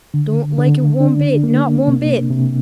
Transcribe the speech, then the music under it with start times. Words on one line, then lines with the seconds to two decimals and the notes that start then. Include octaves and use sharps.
Don't like it one bit, not one bit!
0.14 D3
0.58 D3
1.00 D4
1.44 A#3
1.87 C3
2.30 C3